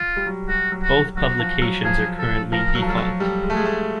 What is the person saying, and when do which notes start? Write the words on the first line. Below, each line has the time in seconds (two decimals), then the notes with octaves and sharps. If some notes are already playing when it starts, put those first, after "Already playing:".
Both publications are currently defunct.
Already playing: F4
0.16 G3
0.26 F#3
0.48 G3 F#4
0.72 F#3
0.83 F#4
1.17 F#3 F#4
1.39 F3
1.62 F#3
1.84 F3 G#4
2.18 A4
2.52 F3 A#4
2.75 F#3
2.82 F3
2.86 F#3 A4
2.98 F#3
3.20 G3 A4
3.43 G#3
3.50 A3
3.54 G#3 G#4
3.66 A3